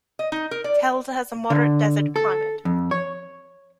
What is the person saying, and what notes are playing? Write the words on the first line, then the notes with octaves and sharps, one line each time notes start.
Telde has a moderate desert climate.
D#5
D#4
A#4
D5
D3
A4
F2
C#5